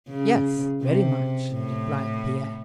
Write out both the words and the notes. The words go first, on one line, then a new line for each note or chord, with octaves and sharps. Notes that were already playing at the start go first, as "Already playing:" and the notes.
"Yes, very much," replied Pierre.
C#3
C3
A2